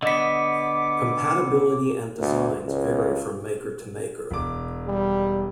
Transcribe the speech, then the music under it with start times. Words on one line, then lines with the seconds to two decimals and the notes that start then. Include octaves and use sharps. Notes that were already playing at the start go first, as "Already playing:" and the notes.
Compatibility and designs vary from maker to maker.
0.02 D3 B3 D#5 D6 B6
2.19 D2
2.65 C#2
4.31 E1 D6
4.87 G3